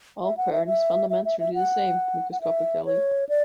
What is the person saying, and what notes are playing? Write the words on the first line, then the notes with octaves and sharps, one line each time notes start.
All current is fundamentally the same, microscopically.
E5
F#5
E5
E5
E5
E5
E5
F#5
F#5
E5
C#5
D5